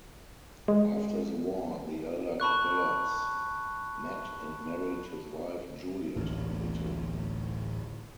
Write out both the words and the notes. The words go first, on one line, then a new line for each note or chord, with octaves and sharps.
After the war, the elder Capellas met and married his wife, Juliet, in Italy.
G#3
A5 B5 C#6 F#6
D1 A1 D4